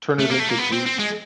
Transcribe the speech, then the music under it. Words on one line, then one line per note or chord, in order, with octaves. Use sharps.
turn it into juice,
A3
A#3
A3
A#3
B3
C4
C4
G#3